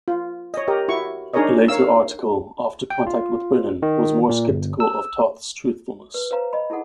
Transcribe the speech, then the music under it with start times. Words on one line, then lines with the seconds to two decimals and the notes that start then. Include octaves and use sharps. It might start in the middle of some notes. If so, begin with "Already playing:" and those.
A later article, after contact with Brennan, was more skeptical of Toth's truthfulness.
0.08 F4
0.54 C#5 D#5
0.68 G4 A#4 D#5
0.88 E4 F#4 C#6
1.34 D4 D#4 G#4 A#4 C#5 D#5
1.68 A#4 C#5 F5 E6
2.90 G5
3.07 F4
3.82 D#3
4.29 A#2
4.48 G1
4.80 E6
6.14 B4
6.31 B4 C5 F5 A#5
6.53 D#5 B5
6.70 D#4 E4 G#4 A4 F#5